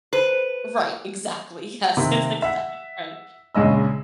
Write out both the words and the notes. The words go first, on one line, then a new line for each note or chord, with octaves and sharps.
Right, exactly, yes, that's exactly right.
B4 C5
C3 D#3
E5 F#5
A#1 C#3 G#3 D#5 E6